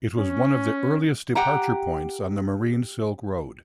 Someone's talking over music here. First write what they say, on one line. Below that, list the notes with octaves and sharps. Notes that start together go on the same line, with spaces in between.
It was one of the earliest departure points on the Marine Silk Road.
C#4
G4 F#5 G5 A#5